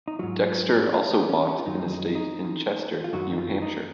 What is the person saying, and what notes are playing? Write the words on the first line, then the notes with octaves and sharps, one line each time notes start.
Dexter also bought an estate in Chester, New Hampshire.
D#4
G#2 F#3 F4
F4
F4
F4
D#4
C#4
C#4
F4
F#2 D#3 F#3 D#4
D#4
D#4
F4
F#2 D#3 F#3 F#4
D#4
F4
D#4